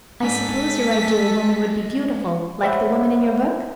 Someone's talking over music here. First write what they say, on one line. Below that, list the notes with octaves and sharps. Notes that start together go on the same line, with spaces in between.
"I suppose your ideal woman would be beautiful, like the woman in your book?"
G#2 G#3 A4 D5 G#5 B6
C5 C#5 E5 F#5 B5